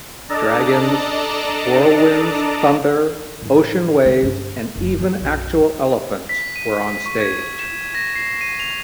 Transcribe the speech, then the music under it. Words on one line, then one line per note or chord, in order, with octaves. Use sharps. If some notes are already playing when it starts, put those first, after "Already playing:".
Dragons, whirlwinds, thunder, ocean waves and even actual elephants were on stage.
D4 A4 D5 D#5 A5 A#5
A2 E3
D3 A3
G1 C#4
F#1
F3 B3
B1 F#2
B6
D#7
C#6
G#6
E7
A#6
C7
D#7
F7